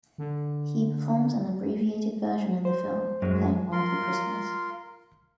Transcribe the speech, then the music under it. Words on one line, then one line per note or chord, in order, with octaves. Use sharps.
He performs an abbreviated version in the film, playing one of the prisoners.
D3
C5
F#2 F#3 G#3
F4 A#4 C6